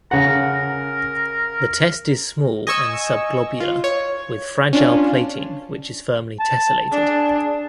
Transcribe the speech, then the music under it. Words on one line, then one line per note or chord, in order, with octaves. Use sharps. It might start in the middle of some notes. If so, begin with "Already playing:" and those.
The test is small and subglobular with fragile plating which is firmly tessellated.
C#3 F#5 A#5
A#4
D#5 G#5 C#6 E6
F4
C#5
C#4 D4 F4
A5
D4 G#4